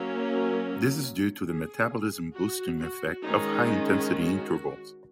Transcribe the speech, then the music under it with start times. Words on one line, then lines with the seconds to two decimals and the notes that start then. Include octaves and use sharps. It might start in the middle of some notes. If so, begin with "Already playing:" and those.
This is due to the metabolism-boosting effects of high intensity intervals.
Already playing: F#3 A#3 C#4
0.16 A#4
1.48 G#4
2.34 F#4
2.79 F#4
3.22 D#3 G#3 C#4 D#4
4.10 F#4